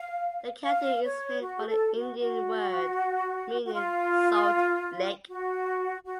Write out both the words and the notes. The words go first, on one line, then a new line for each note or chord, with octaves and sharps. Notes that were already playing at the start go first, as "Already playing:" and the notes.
The county is named for an Indian word meaning "salt lick".
Already playing: F5
F5
C#5
F#4
G#4
A4
F#4
F#4
F#4
F4
F#4
F#4